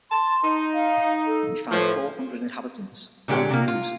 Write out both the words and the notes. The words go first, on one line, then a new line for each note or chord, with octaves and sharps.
He found four hundred inhabitants, all Druze.
A5 C6
D#4
F5
A4
A2 F3 B4
A#2 D3 G#3 G4 C#5 F#5
C3 A#3
F4